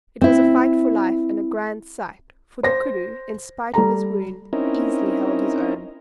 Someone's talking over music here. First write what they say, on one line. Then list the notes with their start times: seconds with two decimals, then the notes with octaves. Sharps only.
It was a fight for life and a grand sight; for the koodoo, in spite of his wound, easily held his own.
0.22 C4 E4
2.63 C5 A#6
3.74 G3 A4 A#5
4.53 C4 C#4 D#4 E4 A#4